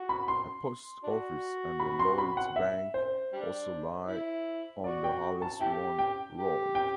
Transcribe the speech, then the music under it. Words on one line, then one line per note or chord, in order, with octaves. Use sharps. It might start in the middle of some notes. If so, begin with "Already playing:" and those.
A post office and a Lloyds Bank also lie on the Halesowen Road.
Already playing: F#4
B5
C6
D4 F#4
B5
C6
B5
F#5
E5
C5
G3 D4
E4
F#4 D5
G5
A5
E4 G4 G5
G5
G4
G5